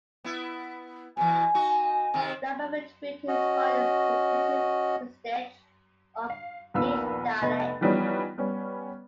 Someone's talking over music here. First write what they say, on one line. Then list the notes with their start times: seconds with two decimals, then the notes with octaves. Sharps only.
Labov attributed his findings to the perceived prestige of each dialect.
0.24 B3 E4
1.17 B2 E3 G#5
1.54 D#4 F#4
2.14 C3 D#3 C4
3.28 C#4 F#4 D#5
6.30 F5
6.74 A#1 D#2 A#3 B3 F4 E6
7.42 F1 B3 D#5 A6
7.81 E3 F3 G3 B3 C#4 D#4
8.38 G3 B3 C#4